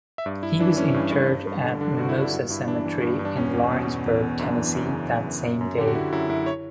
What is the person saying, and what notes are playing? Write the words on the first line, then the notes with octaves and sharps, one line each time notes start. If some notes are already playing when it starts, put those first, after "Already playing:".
He was interred at Mimosa Cemetery in Lawrenceburg, Tennessee, that same day.
E5
G2 D5
G2 E4
E3 D4
E3 C#4
G2
G2
G2
G2
D3
D3 D4
G2 F#4
E4
G2 D4
G2 F#4
G2 E4
E3 D4
E3
G2
G2
D4
E2 C#4
E2
B2
B2
E2
E2
F#2 D4
E3
F#2
C#3
F#2
E3
F#2
F#2
D3 G4
F#4
D3 E4
F#2 E4
F#2 E4
C#5